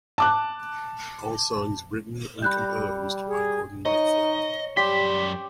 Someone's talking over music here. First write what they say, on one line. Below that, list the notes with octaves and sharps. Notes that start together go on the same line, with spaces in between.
All songs written and composed by Gordon Lightfoot.
A5 D6 F#6
G3 B5 F#6 G6
G#4
D#4 C#5 D#5
F#2 G3 G4 C6 B6